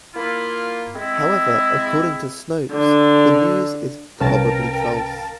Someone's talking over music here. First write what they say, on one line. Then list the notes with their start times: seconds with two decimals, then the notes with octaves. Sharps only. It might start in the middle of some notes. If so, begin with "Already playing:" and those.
However, according to Snopes, the news is "probably false".
0.14 A#3 E4 F4
0.95 G#3 C4 E4
2.72 D3
4.20 C2 C#4 A#4 B4 F5 G5 A5 A6